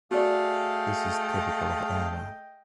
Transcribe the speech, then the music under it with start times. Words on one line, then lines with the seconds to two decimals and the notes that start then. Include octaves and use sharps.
This is typical of Erna.
0.11 A3 F#4 G#4 D5 D#5 F5 G5